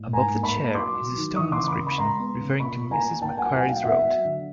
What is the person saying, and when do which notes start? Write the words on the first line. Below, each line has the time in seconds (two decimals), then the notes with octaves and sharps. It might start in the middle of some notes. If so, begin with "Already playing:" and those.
Above the chair is a stone inscription referring to Mrs Macquarie's Road.
Already playing: A2
0.13 G#2 G#5 A#5
0.34 A#3
0.43 A5 B5
0.54 A#3
0.75 F#3 C6 D6
0.95 F#3
1.16 D#3
1.36 E3 C#6 D#6
1.52 C6 D6
1.57 C#3
1.67 B5 C#6
1.78 C#3
1.87 B5
1.98 G#3 A#5 C6
2.19 B3
2.39 C#3
2.60 A#2 B5 C#6
2.81 A#2
2.91 G#5 A#5
3.02 A#3
3.22 A#2 G5 A5
3.37 F#3 F#5 G#5
3.53 F#5 G#5
3.63 A#3
3.68 F5 G5
3.83 B3 E5 F#5
4.05 F#3
4.25 D3